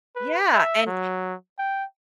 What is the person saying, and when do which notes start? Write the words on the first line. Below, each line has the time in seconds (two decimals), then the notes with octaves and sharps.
Yeah, and
0.16 B4
0.54 E5
0.86 F#3
1.58 G5